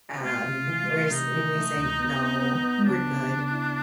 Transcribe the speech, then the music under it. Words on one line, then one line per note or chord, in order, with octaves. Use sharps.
Um, we're sa we say "No, we're good."
A3 F4
C3
E3
A3
C3 D#4
E3
A3
D2
B3
B3
B3
B3
C#3 D4
C#3
C#3
E4